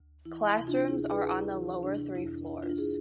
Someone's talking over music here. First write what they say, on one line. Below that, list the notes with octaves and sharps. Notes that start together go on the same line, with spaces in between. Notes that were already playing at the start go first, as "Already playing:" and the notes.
Classrooms are on the lower three floors.
Already playing: D2
E3 E4
E4
C3
D4 F4
D2 E4 G#4
G#4 B4
D2
E4
E3 E4
C3 D4
F2 E4
D4
F2 E4
D4 F4
E4 G#4